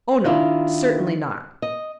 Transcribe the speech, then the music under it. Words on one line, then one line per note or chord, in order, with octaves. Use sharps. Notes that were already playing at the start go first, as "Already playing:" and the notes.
"Oh, no, certainly not!"
D#3 D4 E4 F4
D#5